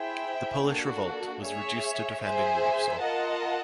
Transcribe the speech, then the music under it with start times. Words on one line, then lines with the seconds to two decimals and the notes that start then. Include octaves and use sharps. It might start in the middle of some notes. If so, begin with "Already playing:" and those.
The Polish revolt was reduced to defending Warsaw.
Already playing: E4 G#4 C5 E5 G5
0.65 A#3 D4 F#4 A4
1.44 G#4 C#5 E5
2.22 G#4 C5 E5 G#5
3.01 F4 A#4 D#5 F#5 A5